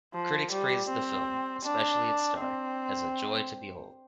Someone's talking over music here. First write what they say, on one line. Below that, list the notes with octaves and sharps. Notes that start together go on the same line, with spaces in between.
Critics praised the film, especially its star, as "a joy to behold".
F3
G3
C4
D4
C4